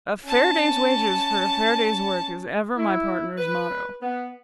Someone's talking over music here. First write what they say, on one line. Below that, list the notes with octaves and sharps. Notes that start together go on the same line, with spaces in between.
A fair day's wages for a fair day's work is ever my partner's motto.'
C#4 A5
E4
B4
B3